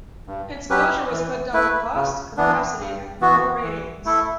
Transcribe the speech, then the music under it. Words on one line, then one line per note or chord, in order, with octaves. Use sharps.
Its closure was put down to cost, capacity and poor ratings.
G2
F#3 C#4 G4 B4
E3
A3 E4 B4
C#3
E3 B3 D4
G2
E3 B3 F#4
E3
A3 E4 A4